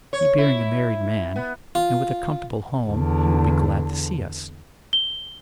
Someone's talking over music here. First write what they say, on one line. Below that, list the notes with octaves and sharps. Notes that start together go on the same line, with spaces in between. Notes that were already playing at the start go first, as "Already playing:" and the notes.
He being a married man, and with a comfortable home, he will be glad to see us.'
C#5
E4
B3
F4
E2 D3
G7